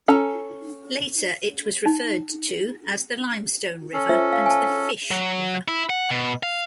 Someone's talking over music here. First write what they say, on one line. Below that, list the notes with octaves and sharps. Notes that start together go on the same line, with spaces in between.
Later it was referred to as the Limestone River, and the Fish River.
C#4 A4 A5 A#5
D#4
C#4 A4
F4 C5 E5
F5
G#5 A5
F#3
E4
F#5
B2
F5